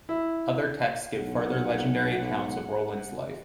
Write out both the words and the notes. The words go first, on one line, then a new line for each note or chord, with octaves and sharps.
Other texts give further legendary accounts of Roland's life.
E4
B1 F#5